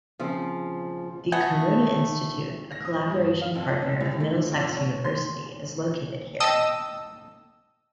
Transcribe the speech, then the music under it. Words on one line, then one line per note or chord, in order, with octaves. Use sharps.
The Karuna Institute, a collaboration partner of Middlesex University is located here.
C#3 F3 C4
A3 B3 G#4 F#5
A#6
D#6
G2
F5
F2
C#4
C2
A3
F2
C#5
C6
D#5 G5 A5 D#6 E6